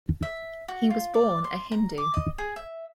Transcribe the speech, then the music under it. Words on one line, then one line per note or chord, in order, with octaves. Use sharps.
He was born a Hindu.
E5
F#4
F4
D5
C6
A#5
D6
D#5
G#4
E5